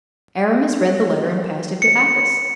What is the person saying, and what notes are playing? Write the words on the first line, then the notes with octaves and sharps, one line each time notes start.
Aramis read the letter, and passed it to Athos.
C#7